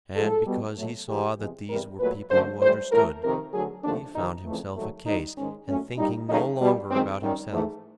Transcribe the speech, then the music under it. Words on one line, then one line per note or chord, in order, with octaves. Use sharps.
And because he saw that these were people who understood, he found himself a case, and thinking no longer about himself.
G#2 F3 G#3 A4
B2 G3
B2 F#3 A3
G2 E3 G#3 G4
E2 C3 F3 G#3
E2 C3 E3 G3 A#4
A#2 F#3 A3 B4
F#2 D3 F#3 A3 C5
A2 E3 G3 C5
A2 E3 A3 A#4
F2 C3 D#3 A#4
D2 D3 F#3 G#4
D#2 D3 F3 A3 D4
F2 C3 D#3 D#4
F2 C#3 E3 A3
G#2 D#3 F#3 A3
G2 D#3 G3 D#4
G#2 D#3 G#3 C#4
A#2 F#3 A3 C#4
A#2 G3 D#4
E2 C#3 F#3 A3 D#4
B2 G3
F#2 D#3 G#3 C4
F#2 D#3 G3
G#2 E3 A3